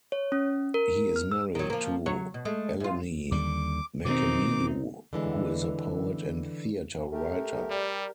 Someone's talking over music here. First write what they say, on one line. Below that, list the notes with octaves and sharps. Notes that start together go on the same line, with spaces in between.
He is married to Eleni Merkenidou who is a poet and theatre writer.
C#5
C#4
A#4
F6
E6
D#3 F#3
F3 A#3
F#3 C#5
B2
G#3 A3
F#2 F4
D#2 D3 G3 D6
B2 D#3 C4 D#4 D6
D3 E3 G#3
A3 G4 A#4
G3 D5